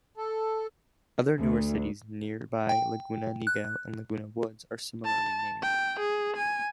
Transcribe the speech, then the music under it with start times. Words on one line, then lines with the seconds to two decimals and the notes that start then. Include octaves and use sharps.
Other newer cities nearby-Laguna Niguel and Laguna Woods-are similarly named.
0.17 A4
1.39 D2
2.69 G5
3.47 F#6
5.05 A5
5.63 G5
5.99 G#4
6.37 G#5